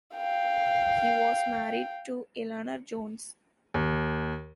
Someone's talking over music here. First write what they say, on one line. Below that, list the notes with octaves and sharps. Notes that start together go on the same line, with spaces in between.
He was married to Eleanor Jones.
F5 G5
D#2